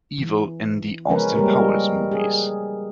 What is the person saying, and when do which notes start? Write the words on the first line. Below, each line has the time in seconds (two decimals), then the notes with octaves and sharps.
Evil in the Austin Powers movies.
0.18 E3
1.09 F3 G#3 C#4 A#4 B4
1.35 G3 G#3 A#3 C#4 G4 A#4
2.12 G#4